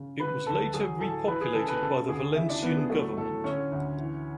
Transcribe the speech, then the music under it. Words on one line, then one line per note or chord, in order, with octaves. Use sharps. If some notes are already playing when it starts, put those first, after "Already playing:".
It was later repopulated by the Valencian government.
Already playing: C#3
D3 B4 B5
D2 A4 A5
F#3 G#4 G#5
A2 A4 A5
E3 B4 B5
G#4 G#5
C#3 A4 A5
B4 B5
C#3 A4 A5
D2 G#4 G#5
C#3 E4 E5
D4 D5
D2 B3 B4
G#4
F#3 A3 A4
A2 A3 A4
D3 C#4 C#5
D2
E3